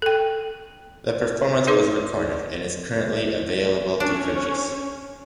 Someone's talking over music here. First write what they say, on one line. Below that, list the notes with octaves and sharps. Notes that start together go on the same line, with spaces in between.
The performance was recorded and is currently available to purchase.
A4 G5
D#4 G#4 B4 C#5 C6 D6
C#4 D4 C#5